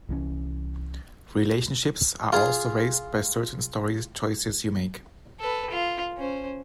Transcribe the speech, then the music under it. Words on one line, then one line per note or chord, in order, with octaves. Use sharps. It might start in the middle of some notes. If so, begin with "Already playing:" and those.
Relationships are also raised by certain story choices you make.
C2 E3 F#3 C#4
F4 G#4
A4 B4
F4
C#4 C5